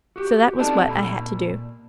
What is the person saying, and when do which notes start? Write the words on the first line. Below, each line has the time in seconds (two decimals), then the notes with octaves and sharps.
So that was what I had to do.
0.16 F#4 G4
0.58 C4 C#4 D#4 A4 D5 A5
0.86 A#2 A#3 B5